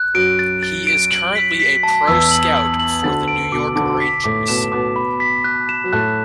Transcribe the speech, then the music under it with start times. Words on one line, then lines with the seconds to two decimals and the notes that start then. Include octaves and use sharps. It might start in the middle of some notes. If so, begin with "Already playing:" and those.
He is currently a pro scout for the New York Rangers.
Already playing: F#6
0.14 F#2 F#3 D7
0.39 A6
0.63 A6
0.87 D7
1.11 F#7
1.35 B6
1.60 B6
1.83 A5
2.07 E2 E3 E6
2.31 F#7
2.56 F#7
2.80 F#7
3.04 D2 D3 A6
3.28 D7
3.51 B2 D6
3.76 D2 D3 D6
4.00 B6
4.24 A2 A3 D6
4.48 B2 B3 E7
4.72 B2 B3 D6
4.96 B5
5.20 B6
5.44 F#6
5.69 E7
5.84 F#3
5.93 A2 A3 F#6